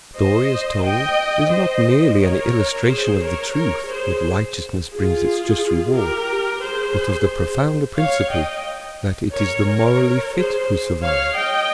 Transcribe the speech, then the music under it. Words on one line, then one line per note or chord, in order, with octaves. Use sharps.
The story as told is not merely an illustration of the truth that righteousness brings its just reward, but of the profounder principle that it is the morally fit who survive.
C5 D#5
D#5 G5
C5 D#5
A#4 C#5
G#4 C5
A#4 C#5
A#4 C#5
G#4 C5
F4 G#4
G4 A#4
G#4 C5
C#5 F5
D#5 G5
A#4 C#5
A#4 C#5
G#4 C5
C#5 F5
D#5 G5